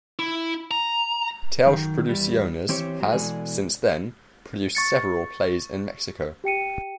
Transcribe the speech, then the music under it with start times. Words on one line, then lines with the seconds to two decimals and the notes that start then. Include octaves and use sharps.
Telch Producciones has, since then, produced several plays in Mexico.
0.19 E4
0.71 A#5
1.66 F#2 D#3
2.09 E2 G3
2.69 E3 C4 G4 C5 C#5
3.00 F#3 G#3 A3
3.12 B2 E3 G#3 A4 D5 G#5
4.75 C#6 A6 C#7
6.44 G4 G5 C#7 D#7